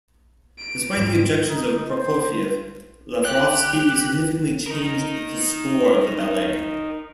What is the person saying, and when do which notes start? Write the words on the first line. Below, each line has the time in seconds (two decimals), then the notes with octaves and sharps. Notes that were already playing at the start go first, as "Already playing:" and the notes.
Despite the objections of Prokofiev, Lavrovsky significantly changed the score of the ballet.
0.58 D7
0.97 G#2 F3 G3
1.49 D#4
1.88 C5
3.25 G4 G5 F#6
4.67 D#4 A#4